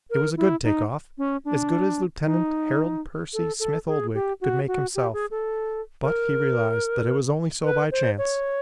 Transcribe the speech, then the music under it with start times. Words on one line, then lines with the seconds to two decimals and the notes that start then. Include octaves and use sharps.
It was a good take-off--as good as Lieutenant Harold Percy Smith-Oldwick could make himself but he realized that it was only so by chance.
0.10 A#4
0.37 E4
0.64 D#4
1.18 C#4
1.45 D4
2.25 D#4
3.33 A4
3.60 A4
3.88 G#4
4.14 G4
4.41 F#4
4.68 F#4
4.95 G4
5.13 G#4
5.31 A4
6.03 A#4
7.64 B4
7.91 C5
8.18 C#5